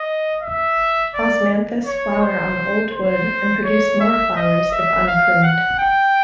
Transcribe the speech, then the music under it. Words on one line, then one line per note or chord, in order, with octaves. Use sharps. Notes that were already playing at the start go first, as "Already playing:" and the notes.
"Osmanthus" flower on old wood and produce more flowers if unpruned.
Already playing: D#5
E5
D5
C#5
C5
C5
C#5
E5
D#5
E5
F5
F#5
G5